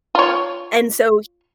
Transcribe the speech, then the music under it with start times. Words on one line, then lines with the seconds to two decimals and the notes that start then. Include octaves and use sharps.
and so
0.15 F4 C#5